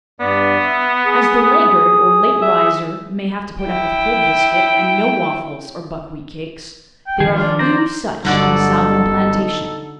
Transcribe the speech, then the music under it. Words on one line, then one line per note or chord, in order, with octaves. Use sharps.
As the laggard, or late riser, may have to put up with cold biscuit, and no waffles or buckwheat cakes, there are few such on a Southern plantation.
G2 B3 D5
E5
G#4 D#6
E5
E4 G5
G5
D#3 F3 G#4
D4 F4
C5 D5 A#5
G1 D3 F#3 G3 D#4 F#4 A4 D5